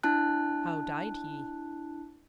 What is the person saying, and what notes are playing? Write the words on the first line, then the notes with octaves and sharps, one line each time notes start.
"How died he?"
D4 E4 A5 F#6